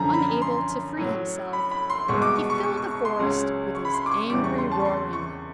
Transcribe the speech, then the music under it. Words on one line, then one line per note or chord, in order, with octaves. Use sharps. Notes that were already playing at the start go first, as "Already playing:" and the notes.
Unable to free himself, he filled the forest with his angry roaring.
Already playing: F#2 D3 F3 A#5
B5
C6
A2 F#3
B5
B5
C6
C2 B2 G#3 C#6
D6
C#6
C#6
C#6
C#6
C#6
C6
C#2 C#3 F#3
C#6
B5
C6
D6
C#6
E2 C#3 E3 G3 D6
C#6
C6
A5
C#6
C6
C#6